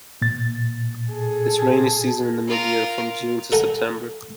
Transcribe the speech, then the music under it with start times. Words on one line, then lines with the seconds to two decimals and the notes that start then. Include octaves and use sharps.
Its rainy season is in mid-year, from June to September.
0.22 A#2 A6
1.12 G#4 A4
2.48 F4 A#4
3.52 A4 A#4 F#5 G#5